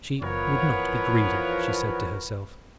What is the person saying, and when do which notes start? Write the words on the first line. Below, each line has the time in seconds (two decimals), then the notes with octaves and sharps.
She would not be greedy, she said to herself.
0.22 F#1 E3 F3 B3 A#4 B4 C#5